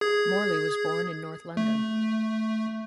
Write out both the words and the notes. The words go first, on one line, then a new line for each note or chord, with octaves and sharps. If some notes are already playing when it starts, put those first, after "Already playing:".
Morley was born in north London.
G#4 G#6
A3